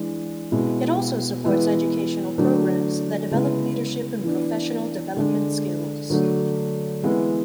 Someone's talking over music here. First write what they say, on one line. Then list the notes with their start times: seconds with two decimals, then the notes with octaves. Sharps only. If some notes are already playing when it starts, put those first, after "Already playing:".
It also supports educational programs that develop leadership and professional development skills.
Already playing: E3 G#3 D4
0.52 B2 G#3 B3 E4
1.45 E3 G#3 B3 E4
2.38 D3 F#3 A3 D4
3.31 C#3 G#3 B3 E4
4.24 E3 B3 D4
5.17 D3 G#3 D4
6.10 D3 F#3 A3 D4
7.03 E3 G#3 B3 E4